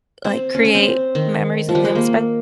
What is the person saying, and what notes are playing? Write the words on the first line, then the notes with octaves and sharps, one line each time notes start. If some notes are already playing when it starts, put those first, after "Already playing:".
like create memories with him, espe
C4
C#4
C#4
C4
D#3
F3
G3
G#3
A#3